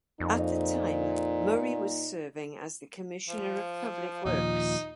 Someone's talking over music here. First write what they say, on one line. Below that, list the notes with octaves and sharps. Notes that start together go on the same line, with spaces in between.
At the time Murray was serving as the Commissioner of Public Works.
F2 A#2 D#4
F3
D#2 A#2 F3 D#4